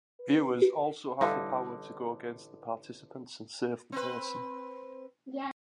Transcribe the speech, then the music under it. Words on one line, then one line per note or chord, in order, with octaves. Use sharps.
Viewers also have the power to go against the participants and save the person.
B4
A1 D3 G3 D#4 E4 A4 F5
C4 B4